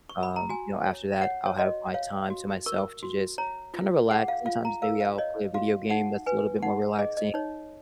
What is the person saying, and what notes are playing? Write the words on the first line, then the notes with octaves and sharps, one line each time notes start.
um, you know, after that I'll have my time to myself to just kinda relax, sometimes, maybe I'll play a video game that's a little bit more relaxing,
C#6
B5
A#5
F#4 G#5
C#5
C#5 F#5
C#5
F#4 D#5
C#5 F5
F#4
A#4 C#6
F#4
C#5 A#5
F4
G#4 F#5
F5
F4 F5
A#5
A#4 F5
F5
C#5 D#5
F#4 F5
D#4 F#5
B4 G#5
D#4 F#5
G#4 D#5
D#5
D#4 C#5